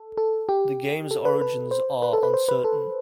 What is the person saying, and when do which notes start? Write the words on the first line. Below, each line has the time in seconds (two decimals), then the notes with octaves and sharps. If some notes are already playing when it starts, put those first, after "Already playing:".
The game's origins are uncertain.
Already playing: A4
0.18 A4
0.49 G4
1.11 A4
1.25 B4
1.41 B4
1.71 C5
2.02 B4
2.13 A4
2.23 B4
2.34 C5
2.49 B4
2.64 A4